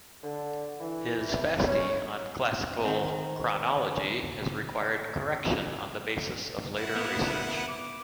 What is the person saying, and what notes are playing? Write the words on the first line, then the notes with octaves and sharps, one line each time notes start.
His "Fasti", on classical chronology, has required correction on the basis of later research.
D3
E3
C#4
D#3 C4
E4 F#5
A#3 B3
D6